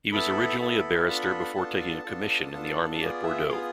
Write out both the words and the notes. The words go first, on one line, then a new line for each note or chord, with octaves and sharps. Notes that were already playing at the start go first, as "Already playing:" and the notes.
He was originally a barrister before taking a commission in the army at Bordeaux.
B3 E4 A4 B5
B3 E4 A4
B3 D4 F4 A4 B5
B3 D4 F4 A4 A5
B3 D4 F4 A4
B3 D4 F4 A4
B3 F4 G#4 D5
E5
B3 F4 G#4 F5